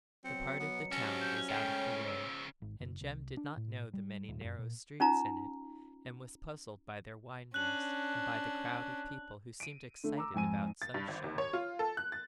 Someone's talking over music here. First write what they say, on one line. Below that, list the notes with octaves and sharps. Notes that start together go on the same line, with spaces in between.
The part of the town was out of the way, and Jem did not know the many narrow streets in it and was puzzled by their windings and by the crowd of people, who seemed excited about some show.
B2 F#3 C4 C#7
B3
G2 C3 F#3 C#4 F#4 A4
G6
C#3 F3 G#3 A3 C#5 G5
E6
G#1
F#1
C2
D4
A2
G3
D#1
F#2
A#2
C#4 D#4 F4 A#5
C#4 D4 F#6 F#7
D7 D#7
D3 A3
A#5 D6 E6
F2 G#2 G#5 D#7
A6
G2
G#1
D#2
C#5
F4
A4
F#6
A6